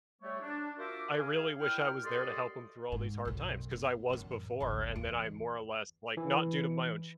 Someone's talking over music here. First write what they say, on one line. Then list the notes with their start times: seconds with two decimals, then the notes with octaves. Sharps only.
I really wish I was there to help him through all these hard times 'cause I was before, and then I more or less like, not due to my own,
0.22 G3 A3 C#5
0.41 D4
0.79 F4 F#4 A#4 C5 E5 D6
1.19 G#4 F5
1.60 A#2 E4 G5 F6
2.05 F#2 G4 A4 D5 D#5 C6
2.92 G#2
3.25 B1 F#2
3.71 B3
4.10 A1 F#2
4.60 G1 C#2
4.96 E2
6.17 E3